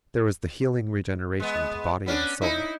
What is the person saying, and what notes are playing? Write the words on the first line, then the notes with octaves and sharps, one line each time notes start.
There was the healing regeneration to body and soul.
G#3 B3
B3 C#4 D4
D#4 E4